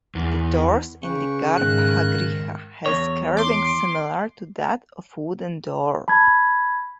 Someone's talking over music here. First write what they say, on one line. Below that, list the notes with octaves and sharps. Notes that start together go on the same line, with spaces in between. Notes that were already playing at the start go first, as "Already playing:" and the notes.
The doors in the garbhagriha has carving similar to that of wooden door.
E2
C#3 B4 G5 C#6
G#2 D#3 F#6
E2 A#2 C#5
C6 D6
A5 B5 G#6